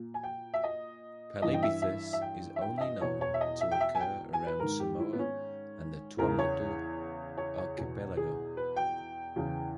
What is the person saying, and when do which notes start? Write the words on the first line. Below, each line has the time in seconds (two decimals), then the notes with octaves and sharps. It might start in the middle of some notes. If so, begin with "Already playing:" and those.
"Palibythus" is only known to occur around Samoa and the Tuamotu Archipelago.
Already playing: A#2
0.14 G#5
0.23 G5
0.54 E5
0.64 D#5
1.42 G2 E3 D#5
1.54 G5
1.63 E5
1.82 E5
2.13 E5
2.22 G5
2.56 E5
2.61 G5
2.78 E5
2.81 D#5
3.01 E2 B2 C#5
3.21 C#5
3.34 E5
3.41 D#5
3.61 E5
3.71 G5
3.81 E5
3.95 G#5
4.00 G5
4.33 G#5
4.47 B4
4.60 G#2 D#3 A#4
4.80 G4
4.99 E4
5.13 B3
5.19 C#4
6.18 E2 C#3 E3 A#4
6.39 C#5
7.38 C#5
7.58 C#5
7.77 E2 B2
8.17 G#4
8.57 B4
8.76 G5
9.36 E2 C#3 E3